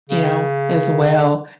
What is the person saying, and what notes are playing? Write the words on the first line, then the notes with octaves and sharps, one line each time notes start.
you know, as well,
C#3